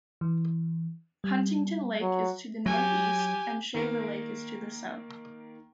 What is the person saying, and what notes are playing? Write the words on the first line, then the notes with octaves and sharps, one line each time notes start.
Huntington Lake is to the northeast and Shaver Lake is to the south.
E3
G3
F#3
F#3 G4 G#5
D#3 A#3 A#4